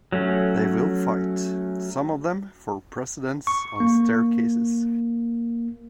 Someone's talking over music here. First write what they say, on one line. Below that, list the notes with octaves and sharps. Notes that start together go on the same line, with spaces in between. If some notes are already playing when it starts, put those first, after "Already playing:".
They will fight, some of them, for precedence on staircases!
F#3 A3 C#4
C#6
A#3